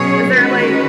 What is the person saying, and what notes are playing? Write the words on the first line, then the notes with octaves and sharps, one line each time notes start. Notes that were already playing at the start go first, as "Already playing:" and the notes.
is there, like,
Already playing: B2 F#3 C#4 G#4 C#5
D#3 G#3 C#4 F#4 B4